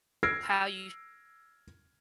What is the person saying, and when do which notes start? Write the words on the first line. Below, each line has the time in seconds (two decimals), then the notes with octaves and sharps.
W how you
0.23 E6 F6 G#6 A#6 C7 D7